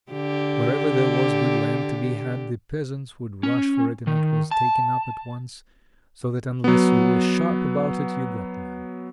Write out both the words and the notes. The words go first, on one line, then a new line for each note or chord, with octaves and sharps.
Wherever there was good land to be had, the peasants would rush for it and it was taken up at once, so that unless you were sharp about it you got none.
D3 G4
C#4
D#3
A5
F#3 B3